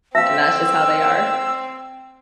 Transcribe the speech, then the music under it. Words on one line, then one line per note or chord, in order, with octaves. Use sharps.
and that's just how they are.
C4 E5 F5 E6